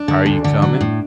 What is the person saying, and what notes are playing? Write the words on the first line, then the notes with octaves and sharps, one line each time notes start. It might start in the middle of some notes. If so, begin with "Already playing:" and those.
"Are you coming?"
Already playing: D4
D3
D2
D3
F#3
A2